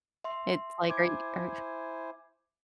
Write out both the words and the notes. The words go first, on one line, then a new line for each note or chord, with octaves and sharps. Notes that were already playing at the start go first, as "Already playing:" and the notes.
It's like, "Are are
E5 C6
E4 C5 G#5 D6 G#6